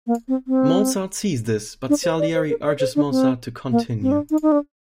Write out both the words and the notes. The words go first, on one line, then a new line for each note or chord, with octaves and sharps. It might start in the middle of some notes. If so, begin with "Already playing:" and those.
Mozart sees this, but Salieri urges Mozart to continue.
A#3
C4
C4
D4
C5
D5
C5
A#4
D5
C5
D4
C4
A#3
C4
D4
D#4
D#4
D4